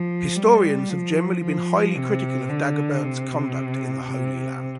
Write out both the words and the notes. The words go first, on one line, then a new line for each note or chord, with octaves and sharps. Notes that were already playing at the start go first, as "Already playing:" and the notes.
Historians have generally been highly critical of Dagobert's conduct in the Holy Land.
Already playing: F3
G3
F3
F3
C3
D3
C3
C3